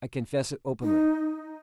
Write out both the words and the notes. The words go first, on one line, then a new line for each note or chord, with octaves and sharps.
I confess it openly.
D#4